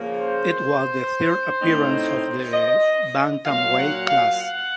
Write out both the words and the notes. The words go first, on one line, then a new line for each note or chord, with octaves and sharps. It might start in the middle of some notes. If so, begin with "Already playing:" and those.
It was the third appearance of the bantamweight class.
Already playing: C#3 F3 A#3
C5
A2 A3 C4 D#4
D#5
A#2 F#3 A#3 F5
F#5
F5
F#5